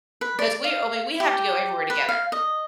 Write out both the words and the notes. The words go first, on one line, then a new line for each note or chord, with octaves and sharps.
'cause we're I mean, we have to go everywhere together,
B4
D5
F5
G4
B4
F5
D#5